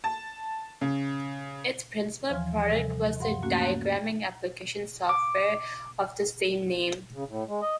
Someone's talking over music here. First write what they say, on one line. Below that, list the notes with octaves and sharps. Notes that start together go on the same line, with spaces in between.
Its principal product was a diagramming application software of the same name.
A5
C#3
D#2 E3 F3 G#5 C6 F6
C3 G3 A4 G#5 A#6
G2 F5 F#5 C6
A3 A#3 C#4 F#4
A#5 F#6
D6
C#3
A2
G#3
D#5